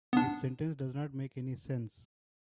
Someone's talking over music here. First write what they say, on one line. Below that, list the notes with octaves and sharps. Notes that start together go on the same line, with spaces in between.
This sentence does not make any sense.
B3 D4